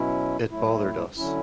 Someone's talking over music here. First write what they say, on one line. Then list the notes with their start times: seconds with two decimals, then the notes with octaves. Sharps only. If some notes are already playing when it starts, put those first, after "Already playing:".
It bothered us.
Already playing: B2 F#3 C#4 E4
0.51 A2 F#3 A3 E4
1.17 D3 F#3 C#4 E4